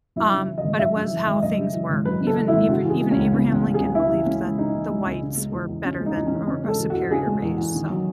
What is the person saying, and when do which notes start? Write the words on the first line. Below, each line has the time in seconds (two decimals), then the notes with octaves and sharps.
Um, but it was how things were. Even eve even Abraham Lincoln believed that the whites were better than or a superior race, so.
0.16 F#2 E4
0.32 C#3
0.37 E4
0.48 E3
0.58 D#5
0.64 G#1
0.79 F#2 E5
0.95 C#3
1.11 E3
1.27 G#1
1.42 F#2 D#5
1.58 C#3
1.74 E3
1.89 G#1
2.05 F#2 B4
2.21 C#3
2.27 A4
2.37 E3
2.48 E4
2.53 G#1
2.69 C#3 F#4
2.85 E3
2.90 G#4
3.00 G#3
3.11 C#2 C#4
3.32 C#3 B3
3.48 E3
3.53 C#4
3.63 G#3
3.74 G#4
3.79 C#2
3.95 C#3 E4
4.11 E3
4.26 G#3 C#4
4.43 C#2
4.58 C#3 D#4
4.74 E3
4.90 G#3
5.06 C#2
5.21 C#3
5.37 G#3
5.53 E2
5.69 E2
5.84 C#3 C#4
6.00 G#3
6.06 D#4
6.16 E2
6.27 E2 C#4
6.47 C#3 C#4
6.64 G#3 A4
6.79 E2
6.90 E2 F#4
7.11 C#3 G#4
7.27 G#3
7.43 E2
7.58 E2
7.74 D#3
7.90 F#3